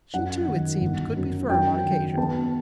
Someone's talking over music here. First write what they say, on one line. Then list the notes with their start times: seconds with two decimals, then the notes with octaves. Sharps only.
She, too, it seemed, could be firm, on occasion.
0.14 F#2 F#5
0.48 D#3
0.81 G1
1.16 F#2
1.49 F#2 G5
1.84 D#3
2.17 B3 A5